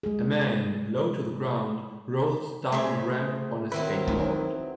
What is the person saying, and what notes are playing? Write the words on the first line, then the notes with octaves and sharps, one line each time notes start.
A man, low to the ground, rolls down a ramp on a skateboard.
G#3 G#4
C#3 A3 C5 E5 G#5
D#3 F#3 C4 E4 B4
D#4